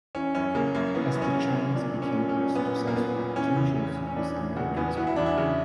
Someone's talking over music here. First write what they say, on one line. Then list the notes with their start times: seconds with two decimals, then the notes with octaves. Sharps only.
As the Chinese became more successful, tensions with Americans grew.
0.15 E3 C#4
0.35 F#2 C#4
0.55 C#3 A#3
0.75 F#2 A#3
0.95 E3 B3
1.15 F#2
1.22 C#4
1.36 C#3
1.55 F#2
1.75 A#2 D4
1.95 A#2
2.02 C#4
2.15 A#2
2.29 C#4
2.36 A#2
2.55 A#2 B3
2.76 A#2
2.87 A#3
2.96 A#2 B3
3.16 A#2
3.36 E3 C#4
3.56 E2
3.76 C#3
3.96 E2
4.07 C#4
4.16 E3 D4
4.37 E2
4.56 C#3 F#4
4.77 E2 B3
4.97 E3 F#4
5.07 E4
5.16 E2 D4
5.26 E4
5.37 C#3